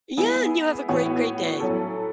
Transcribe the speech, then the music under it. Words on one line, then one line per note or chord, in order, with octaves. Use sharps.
Yeah, and you have a great great day.
B3 E4 G#4
A2 E3 B3 F#4 C#5
F#3 C#4 E4 A4